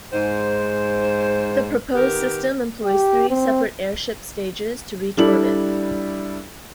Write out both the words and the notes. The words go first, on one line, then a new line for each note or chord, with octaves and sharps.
The proposed system employs three separate airship stages to reach orbit.
G#2 C5
D#3 B3 G4 A#4
G4
C4
G3 D4 E4 A4 F#7